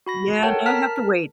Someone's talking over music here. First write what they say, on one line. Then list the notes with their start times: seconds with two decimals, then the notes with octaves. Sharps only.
Yeah, now I have to wait.
0.06 F#4 B5 A#6
0.43 A4 A#4 C#5 F#5 G5 A5
0.66 A#4 A5 A#5 F6 B6